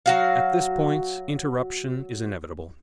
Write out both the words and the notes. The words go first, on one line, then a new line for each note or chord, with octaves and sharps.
At this point, interruption is inevitable.
F#3 F#4 F5